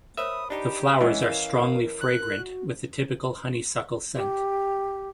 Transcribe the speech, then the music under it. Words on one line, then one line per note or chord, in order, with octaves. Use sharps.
The flowers are strongly fragrant with the typical honeysuckle scent.
A#4 C5 C#5 E5 B5 D#6
D4 D#4 G4
E3 G#3 C#4 E4 D#5 F#5
A#4 F5
F#6
F#4
G4